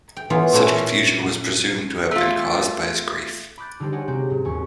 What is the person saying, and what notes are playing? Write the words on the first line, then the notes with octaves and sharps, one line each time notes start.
Such confusion was presumed to have been caused by his grief.
G5
E3 F#3 B3 F4
A#2 A3 C#4 E4
A3 F4
B5 D6 D#6 F#6 G6 A6
D3 G3 D#4 A4 C5
G4 C#5 D#5 F#5 G#5
C3 G#3 C4 F#4 G6
G#2 F#3
D#1 D#2 C#5 G#5 C#6